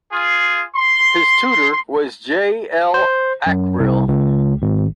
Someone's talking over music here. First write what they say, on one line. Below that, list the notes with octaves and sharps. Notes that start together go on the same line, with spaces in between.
His tutor was J. L. Ackrill.
F4 G#4
C6
C5
F#2
C2
C#2
G#1